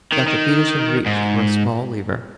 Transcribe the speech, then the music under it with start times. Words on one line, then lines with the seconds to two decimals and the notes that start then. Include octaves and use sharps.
Dr. Peterson reached for a small lever.
0.13 D#3
0.28 D#3
1.06 G#2